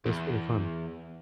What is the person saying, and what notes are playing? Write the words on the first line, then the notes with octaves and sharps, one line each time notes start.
It was pretty fun.
E2